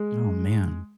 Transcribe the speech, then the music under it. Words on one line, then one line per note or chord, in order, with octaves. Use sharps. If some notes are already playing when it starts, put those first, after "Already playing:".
Oh man.
Already playing: G#3